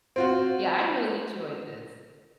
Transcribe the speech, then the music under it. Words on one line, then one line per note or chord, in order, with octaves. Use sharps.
yeah, I really enjoyed this.
C4 F4 F#4